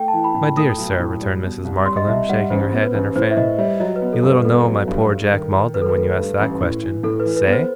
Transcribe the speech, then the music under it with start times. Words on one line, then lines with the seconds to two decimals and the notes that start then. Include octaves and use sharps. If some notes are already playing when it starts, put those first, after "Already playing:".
My dear sir,' returned Mrs. Markleham, shaking her head and her fan, 'you little know my poor Jack Maldon when you ask that question. Say?
Already playing: A3 G5
0.08 A5
0.13 E3
0.24 B5
0.35 A2
0.56 A3 D#6
0.78 B1
1.00 A2
1.21 G3
1.43 B2
1.65 C2
1.86 G3 C6
1.97 D#5
2.08 C2 E5
2.29 G3 F#5
2.50 A1 C5
2.72 B3
2.83 B4
2.94 A1
3.16 A2 C5
3.31 E5
3.37 A2 D#5
3.58 G3 E5
3.80 F#3 D#5
3.96 B4
4.02 B3
4.13 A4
4.23 G2
4.29 B4
4.45 B3 A4
4.66 F#3
4.88 G2
5.10 G2
5.31 D#3
5.53 D#3
5.74 D#3 B4
5.82 A4
5.89 B4
5.96 A3
6.17 G2
6.39 A1
6.61 A2
6.82 E3
7.03 A2 A4
7.20 B4
7.25 E3
7.36 B4
7.47 B3
7.53 C5